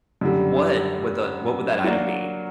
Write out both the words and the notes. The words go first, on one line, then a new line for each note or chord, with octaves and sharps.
what would the what would that item be?
F#2 D3 G3
F#3 A#3 D4 F#4 A#4